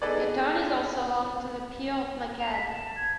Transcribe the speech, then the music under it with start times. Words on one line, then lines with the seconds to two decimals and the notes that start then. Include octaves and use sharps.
The town is also home to the Pir of Makhad.
0.02 B3 D#4 G#4 A4 B4 D5
2.39 F7
2.52 B6
2.67 A5
2.96 G#6